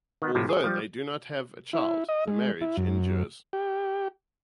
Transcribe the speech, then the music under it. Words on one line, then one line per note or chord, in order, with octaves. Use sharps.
Although they do not have a child, the marriage endures.
D#3 B3
A2 C3 F3
G#4
F3 G3
E4
D#5
G#3
E4
F#2
G4